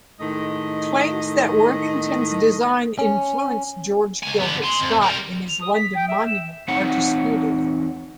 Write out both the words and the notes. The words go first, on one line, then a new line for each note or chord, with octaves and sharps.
Claims that Worthington's design influenced George Gilbert Scott in his London monument are disputed.
A2 D#3 G#3 D#5
C#4
C#2 G#5
D3 B3
G#5 C6
F2
G3 A#4
F7
D#6
B6
G5
E5
E7
E2 C4 D#4 C#5 F#5